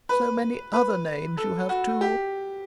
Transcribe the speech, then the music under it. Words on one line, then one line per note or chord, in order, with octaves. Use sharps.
So many other names you have, too.
B4
B4
A4
F#4
G4